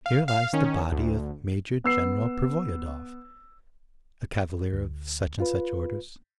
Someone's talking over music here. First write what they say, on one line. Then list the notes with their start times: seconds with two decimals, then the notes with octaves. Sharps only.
"Here lies the body of Major-General Pervoyedov ... a cavalier of such and such orders." Hm!
0.06 F5
0.28 F5
0.53 D#3 C#4
0.91 D2
1.84 B3 E6 C7
4.73 D2
5.40 F4 B4